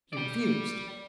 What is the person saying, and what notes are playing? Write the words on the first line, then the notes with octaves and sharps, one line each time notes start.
He refused.
D5 G5